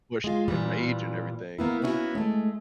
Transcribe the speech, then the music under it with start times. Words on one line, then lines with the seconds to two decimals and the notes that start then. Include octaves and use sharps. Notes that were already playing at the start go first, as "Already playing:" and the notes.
push, uh, rage and everything.
0.24 G#3 F4
0.48 A#2 E3 G3
1.59 A#3 B3 E4
1.82 A#3 B3 C#4 D#4 E4 F#4
2.15 G#3 A3